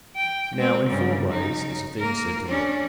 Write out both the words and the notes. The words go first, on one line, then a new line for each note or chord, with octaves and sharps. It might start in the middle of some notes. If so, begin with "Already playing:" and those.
Now, in four ways is a thing said to live.
G5
G#3 C4
G2 C#3
C#3 D#4
A#3 A#4
C#4 D4